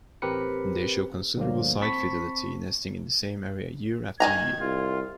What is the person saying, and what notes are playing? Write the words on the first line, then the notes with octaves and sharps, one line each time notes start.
They show considerable site fidelity nesting in the same area year after year.
A1 C4 G4 A#4 B4 C#7
D2 G2 D3 F3 F#3 A#3
C4 A5 B5 C#6 B6
D#3 G#5 A#5 G#6
C2 F4